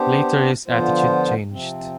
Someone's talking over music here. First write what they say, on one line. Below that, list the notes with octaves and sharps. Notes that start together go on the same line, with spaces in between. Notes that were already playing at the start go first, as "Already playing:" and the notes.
Later his attitude changed.
Already playing: B3 D4 G4 C5
D3 F3 B3 F4 C5
C3 F3 C4